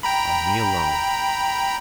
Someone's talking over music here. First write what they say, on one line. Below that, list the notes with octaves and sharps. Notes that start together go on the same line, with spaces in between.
On me alone.
G5 A#5 B5